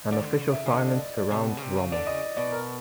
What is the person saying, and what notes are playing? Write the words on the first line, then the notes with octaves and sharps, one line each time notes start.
An official silence surrounds Rommel.
D3 D5
D#3
D3
C#3
E5
C#3
D3 D#5
D5
D5
C3
B2
C#3
C3
C#3
D3 D5
C#3 D#5
B2 D5
A#4